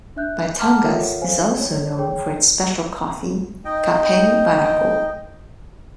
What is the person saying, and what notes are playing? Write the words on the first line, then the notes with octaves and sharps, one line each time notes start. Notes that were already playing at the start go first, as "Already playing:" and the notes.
Batangas is also known for its special coffee, "kapeng barako".
D4 E5 F#6 G6
F#5 A5 A#5 C6 D6 F6
F4 A4 A#4 C#5 E5 F#5
C5 F5 G#5
C#5
G#4 C#5 G5
D#4 D#5 G5